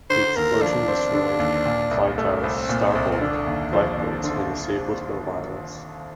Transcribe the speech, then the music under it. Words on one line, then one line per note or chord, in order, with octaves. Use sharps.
The explosion destroyed "Blitar"s starboard lifeboats and disabled her wireless.
D3 C5
D#2 A#4
F3 D4
C4
D3
D#2
A#2
C2
A3
A#3
C2 C4
A#2
C2
C4
D3 D4
D#2
F3
D#2
D3